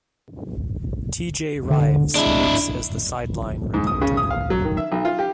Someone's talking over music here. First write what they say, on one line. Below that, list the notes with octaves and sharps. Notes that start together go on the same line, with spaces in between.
T. J. Rives works as the sideline reporter.
D3
G#3 D4 E4
G#2
D#6
C#3
D#6
F5
F#3
D#3
E5
B1
F4
G4